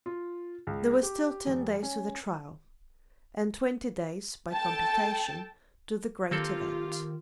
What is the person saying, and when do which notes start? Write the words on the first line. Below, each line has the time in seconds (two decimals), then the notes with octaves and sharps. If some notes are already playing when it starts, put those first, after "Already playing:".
There were still ten days to the trial, and twenty days, by computation, to the great event.
0.06 F4
0.67 C#2
1.03 G4
1.46 F1
1.83 C#4
4.53 A4 G5 A5
6.31 D#3 A#3 C4 F4 G4 A4